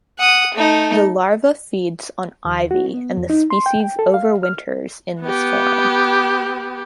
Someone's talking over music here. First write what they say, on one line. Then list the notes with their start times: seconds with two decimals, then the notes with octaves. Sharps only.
The larva feeds on ivy and the species overwinters in this form.
0.19 F#5 D#6
0.54 A3 D#4
2.45 D#2
2.71 F#4
2.94 B3
3.17 F2
3.30 D#4
3.50 C6
3.66 G5
3.81 G5
3.99 A4
4.14 F5
4.43 F6
5.22 B3 G4